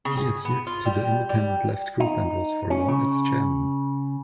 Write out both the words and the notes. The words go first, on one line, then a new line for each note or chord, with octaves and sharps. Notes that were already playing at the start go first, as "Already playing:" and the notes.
He adhered to the Independent Left group, and was for long its chairman.
C#3
G#4
B3
F4
G3
G3
D#4
C#4
C#3